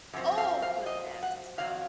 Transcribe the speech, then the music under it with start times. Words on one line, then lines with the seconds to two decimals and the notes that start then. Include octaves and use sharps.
Oh, goodness!
0.13 F#2 F3 C4
0.38 F5
0.62 F5
0.86 D#5
1.23 F#5
1.58 F2 D#3 F#3 F5